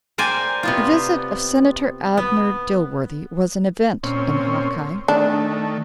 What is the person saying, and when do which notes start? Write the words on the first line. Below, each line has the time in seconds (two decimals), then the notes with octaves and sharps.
The visit of Senator Abner Dilworthy was an event in Hawkeye.
0.18 A#4 C5 D5 G5 G#5
0.63 C3 B3 F4
2.17 B3
4.03 A#2 C4 C#4
5.08 D#3 A3 D4